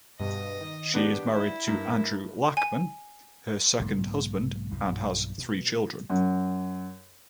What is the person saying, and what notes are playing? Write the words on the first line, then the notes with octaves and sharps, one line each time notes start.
She is married to Andrew Lachman, her second husband, and has three children.
G2 B2 D#5
D#3
B3 D4 G4
E4
G2 A#4
G#5
B1 G#2 C#3 A#3
B1 G2 A#2
B2
F#2